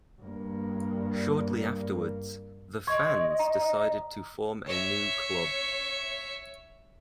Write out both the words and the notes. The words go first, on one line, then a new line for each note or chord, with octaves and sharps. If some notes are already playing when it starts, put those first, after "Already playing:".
Shortly afterwards the fans decided to form a new club.
G2 A#3
D#5 C6 C#6 G#6
A#5
C#5 E5